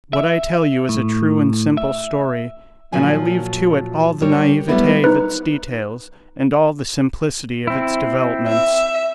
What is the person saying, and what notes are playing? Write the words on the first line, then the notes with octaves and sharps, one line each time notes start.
What I tell you is a true and simple story, and I leave to it all the naivete of its details and all the simplicity of its developments.
E5
A2
E5
A#2 F3 F#3 G#5
G3 A#4 C#5
F#3 G3 A3 B3 E4 B4
D#4 B4
C4 E4
E5